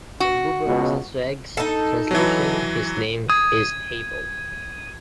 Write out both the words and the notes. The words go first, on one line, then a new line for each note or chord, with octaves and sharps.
In Buber Rosenzweig’s translation his name is “Habel”.
F#4
C#2 B2
D#4 A4
E3 F#3
D#6 G#6